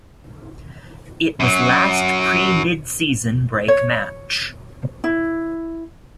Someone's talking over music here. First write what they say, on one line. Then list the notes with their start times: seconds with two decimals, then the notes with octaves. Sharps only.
It was last pre-midseason break match.
1.40 F#2 F#3
3.68 C#5
5.04 E4